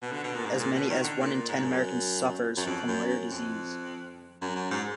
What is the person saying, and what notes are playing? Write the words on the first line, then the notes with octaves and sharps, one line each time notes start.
As many as one-in-ten Americans suffers from rare disease.
B2
D3
B2
A#2
G#2
A#2
B2
D#3
D3
A#2
A#2
G#2
F#2
F#2
F2
F#2
F#2
F2
F#2
F#2
G#2